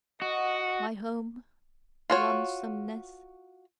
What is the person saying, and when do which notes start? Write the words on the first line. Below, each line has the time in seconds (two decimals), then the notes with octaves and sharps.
My home, lonesomeness!
0.22 F#4 D#5 F#5
2.10 F4 F#4 C#5